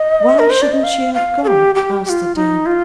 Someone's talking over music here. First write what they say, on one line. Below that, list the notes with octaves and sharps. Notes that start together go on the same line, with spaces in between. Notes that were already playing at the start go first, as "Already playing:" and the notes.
"Why shouldn't she have gone?" asked the Dean.
Already playing: D#5
A#4
C5
D5
D#5
F5
F5
A4
G4
G4
G4
F4
D#4
F4